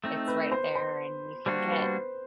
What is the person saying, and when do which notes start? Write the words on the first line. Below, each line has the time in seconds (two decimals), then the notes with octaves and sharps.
it's right there, and you can get
0.04 A3 C4 D#4
0.28 B4
0.51 C5
0.75 C5
1.46 G3 A#3 D4 F#4 C5
1.71 B4
1.82 C5